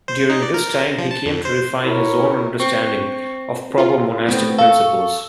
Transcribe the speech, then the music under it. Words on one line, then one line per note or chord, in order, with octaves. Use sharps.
During this time, he came to refine his own understanding of proper monastic principles.
C5
D#4
D5
A#4
F3
A5
F2
C5
E4 A#4 C#5
C4 C#6
F4
A2 B3 C4
A4 F5 C#6